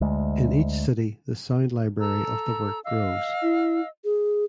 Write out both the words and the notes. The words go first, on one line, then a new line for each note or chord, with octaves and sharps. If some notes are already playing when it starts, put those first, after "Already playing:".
In each city the sound library of the work grows.
D2 G#3
A4 A#5 E6
D#5 F5 E6
E4
G#4